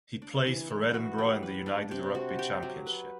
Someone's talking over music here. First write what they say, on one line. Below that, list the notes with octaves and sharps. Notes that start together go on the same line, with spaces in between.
He plays for Edinburgh in the United Rugby Championship.
D4
E3
E3
F#4
G3
B4
D4
C3
F#4
G4
F#3
B4